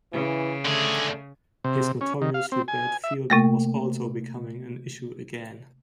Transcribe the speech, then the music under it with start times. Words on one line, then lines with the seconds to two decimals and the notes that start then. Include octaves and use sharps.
His notoriously bad fielding was also becoming an issue again.
0.13 C#3 E3
0.65 D3 A3 G#4
1.64 C3
2.01 C#4
2.22 D#3
2.34 F5
2.52 C4
2.68 G#5
3.04 E5
3.30 C3 A3 A#3